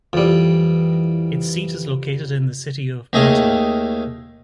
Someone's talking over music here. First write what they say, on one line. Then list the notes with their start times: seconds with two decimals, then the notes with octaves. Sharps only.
Its seat is located in the city of Motala.
0.13 F2 E3 G3
3.13 D#2 D#3 A3 G#4 D#5 F5